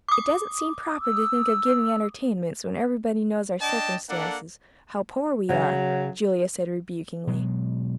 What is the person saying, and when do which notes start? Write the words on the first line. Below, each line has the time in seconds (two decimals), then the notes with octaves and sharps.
"It doesn't seem proper to think of giving entertainments when everybody knows our circumstances,--how poor we are!" Julia said rebukingly.
0.08 D6 D#6
1.02 E6
3.62 D4 D#5 G5 A5
4.09 A#3 D4 A4 F#5
5.49 C#3 F#3
7.27 B2 F#3 G#3